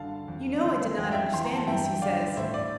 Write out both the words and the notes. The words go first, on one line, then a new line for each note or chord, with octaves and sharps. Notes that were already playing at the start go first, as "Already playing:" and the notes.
"You know I did not understand this," he says.
Already playing: G2 D3 F5 A5
F2
D3
F2 G5
F5
E5 G5
E3 C6
A#5
A5
G2 E5 G5
G5
D3 D5 F5
A2 C5 E5
D5